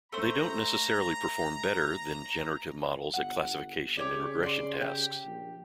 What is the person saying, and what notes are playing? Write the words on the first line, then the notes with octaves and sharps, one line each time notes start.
They don't necessarily perform better than generative models at classification and regression tasks.
A3 C5 A#5
G1 F#5
C#3 G4 C#5 D5
D5 C6
G4
A#1